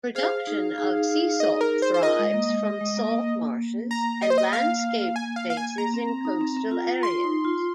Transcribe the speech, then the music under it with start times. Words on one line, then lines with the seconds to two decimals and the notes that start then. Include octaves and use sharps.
Production of sea salt thrives, from salt marshes and landscaped places in coastal areas.
0.15 G#4 C5 F5
0.47 D#4 G#4
0.78 D#4 G#4
1.40 D#5
1.61 A#4
1.82 C5
1.94 C5
2.02 F4 A#4 D#5
2.19 G#3
2.34 A#3
2.50 G#3
2.81 G#3
2.97 A#3
3.12 A#3
3.91 A#5
4.22 D#5
4.30 C5
4.38 D#5
4.53 A#3 F5
5.16 G#5
5.36 F5
5.50 F5
5.57 G#5
5.78 A#3 A#5
5.94 C4
6.09 C4
6.25 D#4
6.41 C4
6.57 C4
6.71 F4
6.87 F4
7.03 F4 C6
7.24 D#4
7.44 F4